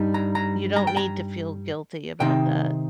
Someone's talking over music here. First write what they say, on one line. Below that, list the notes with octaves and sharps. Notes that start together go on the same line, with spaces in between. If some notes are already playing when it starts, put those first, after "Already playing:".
you don't need to feel guilty about that.
Already playing: G2 G3 D#4
A#5
A#5
A#5
G5
A#5
C3 D#3 C4 D#4 G5